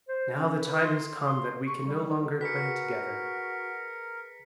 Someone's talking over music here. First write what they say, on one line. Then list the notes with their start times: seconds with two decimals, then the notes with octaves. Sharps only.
Now the time has come that we can no longer play together.
0.08 C5
0.38 C#4
0.59 B4
0.83 C6
1.26 C6
1.67 C#6
1.86 G3
2.41 F#4 G#4 A#4 B4 B6 C#7